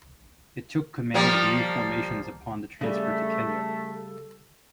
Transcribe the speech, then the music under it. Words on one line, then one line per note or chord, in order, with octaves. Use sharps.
It took command of new formations upon the transfer to Kenya.
F3 G3 A#3
C#3 G3 A3 A4